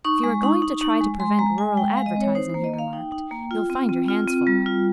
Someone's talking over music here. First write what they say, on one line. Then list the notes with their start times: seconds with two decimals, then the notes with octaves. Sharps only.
"If you are going to try to prevent rural advertising," he remarked, "you'll find your hands full."
0.04 D#4 C#6
0.24 G#3
0.43 D#4
0.62 D#4
0.81 D#4
1.01 G#3
1.20 G#3 C6
1.39 G#3 A#5
1.58 G#3 G#5
1.77 G#3 G5
1.92 G#3 F5
2.06 D#5
2.16 C4 C#5
2.35 D#4 C5
2.50 A#3 C5
2.64 D#5
2.74 A#3 F5
2.93 D#4 G5
3.12 D#4
3.31 A#3
3.51 F4
3.70 C4
3.89 C4
4.08 F4
4.28 C4
4.47 G3
4.66 F4